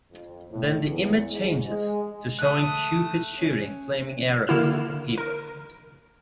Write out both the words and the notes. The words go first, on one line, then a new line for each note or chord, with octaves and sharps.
Then the image changes to showing cupid shooting flaming arrows at people.
F2
A2
E2
G#2
G#3
A3 D#6 F#6
C#4
D3 A#3 E4 F6 E7
A#4